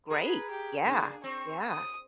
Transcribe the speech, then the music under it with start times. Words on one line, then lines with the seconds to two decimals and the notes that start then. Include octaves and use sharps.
Great. Yeah. Yeah.
0.10 G#4 A#4 B4
0.50 G4
0.85 C#3 A#3 D4 G#4
1.24 C4 C#6
1.70 D#6